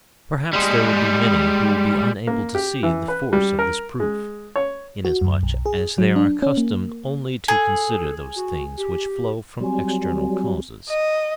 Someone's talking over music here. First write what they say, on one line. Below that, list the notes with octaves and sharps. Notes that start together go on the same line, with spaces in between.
Perhaps there will be many who will be unable to see the force of this proof, inasmuch as they are accustomed only to consider those things which flow from external causes.
G3 G#3
A#3
G4
E3
B4
G3
A#4
G#3
C#5
F#4
F#2
B1
G#4
F#3
D4
C#4
A#3
G#4 A4
F#4
G4
F#3 G3 C4 G#5
D#5